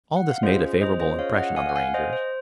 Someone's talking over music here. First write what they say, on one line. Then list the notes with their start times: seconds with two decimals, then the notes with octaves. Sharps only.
All this made a favorable impression on the Rangers.
0.16 F#5
0.30 F5
0.43 C#4 F4 G#4 C5 D#5
0.81 C5 D#5
1.00 C5 D#5
1.19 C#5 F5
1.38 D#5 F#5
1.56 F5 G#5
1.69 F#5
1.76 F5 G#5
1.94 C5 D#5
2.13 C5